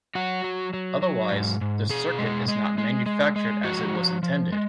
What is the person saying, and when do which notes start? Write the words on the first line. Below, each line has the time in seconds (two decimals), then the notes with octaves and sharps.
Otherwise, the circuit is not manufactured as it was intended.
0.15 F#3 F#4
0.44 F#3
0.74 F#3
1.02 F#3
1.32 G#2
1.61 G#2
1.89 B2 G#4
2.19 G#3
2.48 G#3
2.78 G#3
3.06 G#3
3.36 G#3
3.65 F3 F#4
3.94 F3
4.23 F3
4.52 G#3